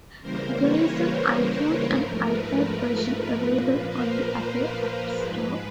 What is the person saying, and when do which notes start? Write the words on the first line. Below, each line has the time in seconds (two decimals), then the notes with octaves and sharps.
There is an iPhone and iPad version available on the Apple App Store.
0.21 C#3 E3 G3 A#3 A#4 C5
0.61 B4 C#5
1.03 A#4 C5
1.43 A#4
1.84 G#2 F3 A3 A#4
2.26 B4
2.66 A#4
3.07 A#4
3.48 A#2 F3 A#3 B4
3.88 A#4 C5
4.29 B4
4.71 A#4
5.11 G#2 F3 G#3 B4